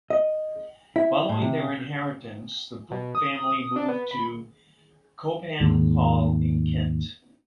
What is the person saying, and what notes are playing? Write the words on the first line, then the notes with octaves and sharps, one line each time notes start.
Following their inheritance the Brooke family moved to Cobham Hall in Kent.
D#5
E4
A2
C3
B2
D#6
D4
B3
B5
D#2 G#2